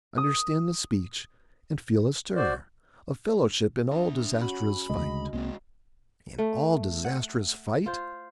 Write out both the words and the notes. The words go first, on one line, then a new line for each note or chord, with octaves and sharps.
'Understand the speech and feel a stir Of fellowship in all disastrous fight. "In all disastrous fight"?
D#6
F#4 C5 D5
D4 E5
C#4 F#4 B5
D2 C#3 G#3 D#5
C2 G#3 A#3 C4 F#4
A3
F#5
F4 C5